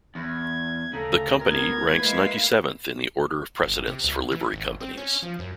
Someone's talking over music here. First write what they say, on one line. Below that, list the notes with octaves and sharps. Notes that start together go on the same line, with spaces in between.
The Company ranks ninety-seventh in the order of precedence for Livery Companies.
E2 G#6
D2 C#3 A4 A#5
B3 A#4 G#6
G#3 A#3 E4 B4 F5
G1
C3
C#2
E3
G#1
C4
C#4
F3
F#2